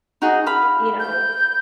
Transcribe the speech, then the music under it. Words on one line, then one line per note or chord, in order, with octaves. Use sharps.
you know,
D#4 F#4 G#4
F5 B5
G6